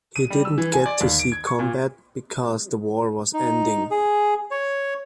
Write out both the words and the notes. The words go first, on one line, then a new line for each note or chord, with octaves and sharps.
He didn't get to see combat because the war was ending.
D#7
G3
E6
E3
G#5
D5
D#2
D7
G#6
C#6
A#2
D#4
G#4
C#5